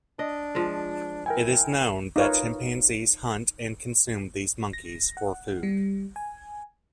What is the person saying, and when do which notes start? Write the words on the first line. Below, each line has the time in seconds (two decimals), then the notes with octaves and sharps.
It is known that chimpanzees hunt and consume these monkeys for food.
0.19 D4 D#5
0.55 F3 G#3
1.26 E4 A#4 G5 G#5
2.16 D#4 F4 A#4 B4 C#5 F5
4.73 A#6
5.17 F#5
5.63 G3
6.16 G#5